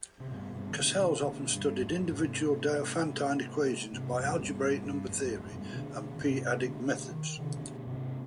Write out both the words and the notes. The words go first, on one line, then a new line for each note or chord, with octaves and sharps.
Cassels often studied individual Diophantine equations by algebraic number theory and p-adic methods.
C3
G2 B2
G2 B2
D#3
B2 D3
B2 D3
B2 D3
G2
F2 G#2
G#2 C3
G#2 C3
F2
G2
G#2
G2 B2
G2
F2 G#2
G2
F2 G#2
G#2
G2 B2
B2 D3
D3
G#2 C3
B2 D3
D#3
C3 D#3
B2 D3
G#2 C3